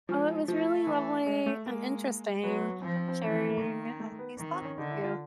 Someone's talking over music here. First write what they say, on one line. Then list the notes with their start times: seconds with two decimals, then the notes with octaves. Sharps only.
Oh, it was really lovely and interesting sharing, uh, these thoughts with you.
0.09 F3 G#3
0.48 F3 A3
0.87 E3
1.26 G#3
1.46 A3
1.65 G#3 A#3
2.43 F#3 B3
2.82 F3 C4
2.96 C4
3.08 C4
3.21 E3 C#4
3.35 C4
3.48 A#3
3.60 D#3
4.00 A3
4.19 B3
4.38 D#3
4.52 C4
4.65 C#4
4.78 D3 D#4
4.90 E4
5.04 F4